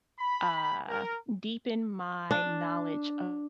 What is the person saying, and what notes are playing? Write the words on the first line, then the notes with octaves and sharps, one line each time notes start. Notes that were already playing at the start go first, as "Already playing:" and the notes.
uh, deepen my knowledge of
B5
A#4
D4